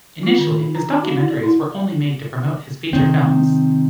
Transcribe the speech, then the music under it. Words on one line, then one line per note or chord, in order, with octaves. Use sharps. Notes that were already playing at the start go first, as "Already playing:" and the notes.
Initially, his documentaries were only made to promote his feature films.
F4
D#3
D#4
A#5
D#4
F#4
E4
D5
E4
C3 D#3 C4